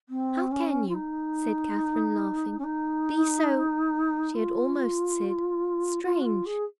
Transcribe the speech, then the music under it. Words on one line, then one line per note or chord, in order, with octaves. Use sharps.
"How can you," said Catherine, laughing, "be so--" She had almost said "strange."
C4
C#4
F4
D#4
C#4
D#4
F4
F4
F#4
F4
G#4